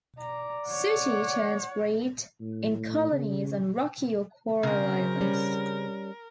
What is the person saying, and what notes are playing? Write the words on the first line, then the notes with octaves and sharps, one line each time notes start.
Sooty terns breed in colonies on rocky or coral islands.
D5 A#5
C#5 F#5
A2
C#3
C#3 C4 A#4
G3 C#4